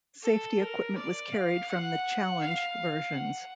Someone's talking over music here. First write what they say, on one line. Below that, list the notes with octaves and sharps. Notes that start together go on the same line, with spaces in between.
Safety equipment was carried from the Challenge versions.
A4
A#4
D5
F5
F#5
F5
F#5